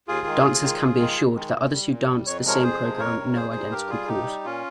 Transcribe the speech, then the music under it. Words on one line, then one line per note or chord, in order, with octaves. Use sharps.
Dancers can be assured that others who dance the same program know identical calls.
D#2 F4 G#4
D#3 G#3
D#2
D#3 G#3
D#2
D#3 G#3
D#2
D#3 G#3
A#2
G3
A#2
G3
F2 C#5
C3 F3 G#3 A#4 C#5
F2 G#4 C5
C3 F3 G#3
F2 A#4 C#5
C3 G3
F2 G#4 C5
C3 G3
G2 G4 A#4
G3 F4 G#4
G2 D#4 G4
G3
A#2 C#4 F4